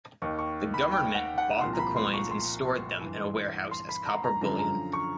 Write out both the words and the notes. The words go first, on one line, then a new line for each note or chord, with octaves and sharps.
The government bought the coins and stored them in a warehouse as copper bullion.
D#2 D#3 C#6
C#6
B5
G5
F#5
F#5
C2 A#2 F3 C6
A#5
B5
C6
C#6
C6
G2 E3
C6
B5
A#5
A#5
F#2 D3 F3 A#5
A#5
C#6